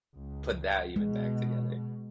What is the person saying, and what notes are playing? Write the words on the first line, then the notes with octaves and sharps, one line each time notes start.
put that even back together.
C#2
B2 G#3